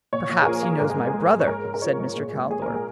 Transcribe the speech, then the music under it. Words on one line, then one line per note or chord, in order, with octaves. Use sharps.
"Perhaps he knows my brother?" said Mr. Calthorp.
A#2 C#5
A#2
G#4
F3 A#4
A#3
G#2 A#4
G#4
G#3
G#4
G#3
G#2
C#5
G#2 A#4
G#2
A#4
F3 C#5
G#3
A#2
G#3
G#3 G#4
A#4
A#2
G#4